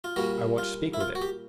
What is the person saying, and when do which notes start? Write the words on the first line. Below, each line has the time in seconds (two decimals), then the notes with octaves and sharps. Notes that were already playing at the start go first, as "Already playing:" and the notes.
"I want to speak with him."
0.04 F4
0.16 A#2 G3 A#3 F#4
0.58 F4
0.94 E4
1.01 F4
1.15 F#4
1.22 G4